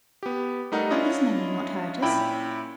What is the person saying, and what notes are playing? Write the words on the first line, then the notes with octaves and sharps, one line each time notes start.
These men will not hurt us.
B3 G4
G3 A3 D#4 A#4 F#5
C#4 D4 E4 F4 D#5
A#2 C#4 E4 G5 B5